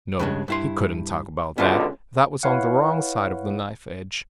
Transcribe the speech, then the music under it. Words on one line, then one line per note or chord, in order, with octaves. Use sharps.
No, he couldn't talk about that; that was on the wrong side of the knife-edge.
G2 C#3 G#3
G2 E4 C6
C#2 B2 D3 C#4 F4
E4 B4 C#5 F5 F#5